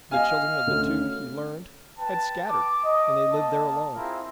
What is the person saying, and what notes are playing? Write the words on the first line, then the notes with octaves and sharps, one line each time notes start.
The children of the two, he learned, had scattered, and they lived there alone.
D#5 F5 G#5 F6
D2 C#4
B4 G5 A5
D6
D#5
A#3 A5
C4 E4 F4 G#4 A#4